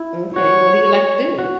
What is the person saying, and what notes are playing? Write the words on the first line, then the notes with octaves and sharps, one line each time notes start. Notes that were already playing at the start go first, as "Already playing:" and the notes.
M'kay, what do you like to do?
Already playing: E4
F#4 C#5
F#4